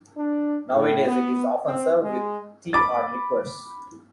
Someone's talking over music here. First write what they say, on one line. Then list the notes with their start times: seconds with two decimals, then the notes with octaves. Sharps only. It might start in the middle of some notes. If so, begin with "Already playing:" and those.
Nowadays, it is often served with tea or liqueurs.
0.17 D4
0.73 A2
1.07 B3
1.66 C4
2.02 G#3
2.73 B5 D6 A6